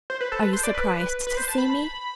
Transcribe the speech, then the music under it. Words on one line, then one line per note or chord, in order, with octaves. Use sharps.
"Are you surprised to see me?"
C5
B4
A4
B4
C5
D5
B4
B4
C5
A5
B5